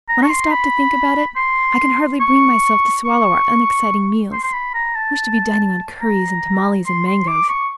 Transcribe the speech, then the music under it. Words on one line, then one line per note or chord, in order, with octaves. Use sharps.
When I stop to think about it, I can hardly bring myself to swallow our unexciting meals; I wish to be dining on curries and tamales and mangos.
A#5
C#6
C6
B5
C6
C#6
C#6
C6
C6
B5
A#5
A5
A#5
C6
C6
D6
C#6